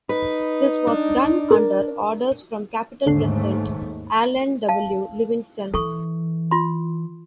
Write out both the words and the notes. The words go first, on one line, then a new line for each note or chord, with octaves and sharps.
This was done under orders from Capitol president Alan W. Livingston.
D#4 B4
D4
A#4
D#2 G#2 D3 A3 D4 C7
F5 A5
E3 A4 C#6
F4 C6